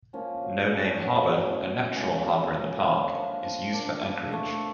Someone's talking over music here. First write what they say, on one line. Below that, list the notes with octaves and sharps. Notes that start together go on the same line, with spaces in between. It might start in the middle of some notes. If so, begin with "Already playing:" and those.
No Name Harbor, a natural harbor in the park, is used for anchorage.
F3 A#3 C#4
F#3
A3 C#4 E4
F#3
A3 C#4 E4
B2
G#3 C#4 F4
B2
G#3 C#4 F4
F3
A#3 D4
F3
A#3 D4
F3
A3 C4